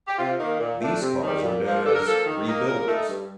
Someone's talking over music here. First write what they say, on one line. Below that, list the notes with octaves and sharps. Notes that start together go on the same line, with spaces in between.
These cars are known as "rebuilders".
G4
C3 F4
D#3 A#3
A#2
A3 D4
C3
D#3 G3
A#2
F3 A#3
D3 A4
A#4
F3 A#3 A4
D#3
A#3 D#4
A#2 A#4
A3 D#4
G2